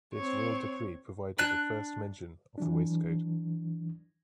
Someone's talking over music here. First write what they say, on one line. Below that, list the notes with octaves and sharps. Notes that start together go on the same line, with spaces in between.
This royal decree provided the first mention of the waistcoat.
C4 C#5
D4 F#6
E3 F#3 D4